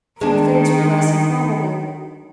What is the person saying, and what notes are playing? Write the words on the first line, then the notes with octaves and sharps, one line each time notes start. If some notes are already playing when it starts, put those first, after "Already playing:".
Few things were less improbable.
D#3 G#3 D4